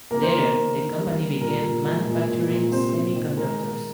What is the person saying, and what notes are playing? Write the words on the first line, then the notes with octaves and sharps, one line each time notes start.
Later, the company began manufacturing semiconductors.
A#3 A#4
C5
D#3 A#4
A#3
D3
G3
G3
A#2 A#4
A#2
G#3
A#2
A#2
A#2
C3 C5
C3
D#3
G#3 A#4
G#3